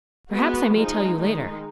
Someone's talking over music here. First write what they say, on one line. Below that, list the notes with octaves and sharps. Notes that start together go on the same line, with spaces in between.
Perhaps I may tell you later.
G#3 B3 F#4
F3 G#3 D#4
D#3 G#3 D#4